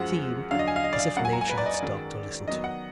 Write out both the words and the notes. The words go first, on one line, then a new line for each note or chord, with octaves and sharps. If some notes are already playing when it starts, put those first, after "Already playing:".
It seemed as if Nature had stopped to listen too.
Already playing: F#2 F3 G#3 F#5
D3 F#3 D4 F5
D#5
G#5
F5
D#5
D5
F5
G#2 F#3 A#3 F#5
G#5
A#5
G#5
B4
D5
D#5
D5
F#2 D#3 G#3
D#3 F#3 B3 D#5
F#5